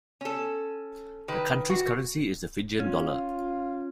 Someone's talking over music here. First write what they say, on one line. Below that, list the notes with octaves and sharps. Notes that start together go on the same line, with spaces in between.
The country's currency is the Fijian dollar.
C#4 A4
D#3 B4
F#4
C#4 F4